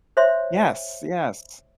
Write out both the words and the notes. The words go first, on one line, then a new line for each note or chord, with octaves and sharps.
Yes, yes.
C5 C#5 E5 C6